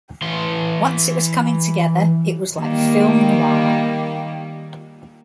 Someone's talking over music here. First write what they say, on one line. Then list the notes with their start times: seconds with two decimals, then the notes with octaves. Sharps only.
Once it was coming together, it was like film noir.
0.22 E3 C6
2.58 D#3 G3 A#3